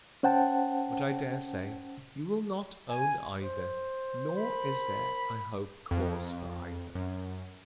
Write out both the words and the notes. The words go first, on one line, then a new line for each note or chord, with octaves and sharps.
But, I dare say, you will not own either--nor is there, I hope, cause for either.
C#4 C5 F#5 G5 A5
G#5
C5
A#4 B5
F2
F#2